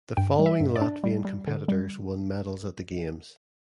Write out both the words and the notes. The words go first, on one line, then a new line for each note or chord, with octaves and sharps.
The following Latvian competitors won medals at the games.
G2 G5
G3
E5
G2
D5
D4
G3
G3
D3
G3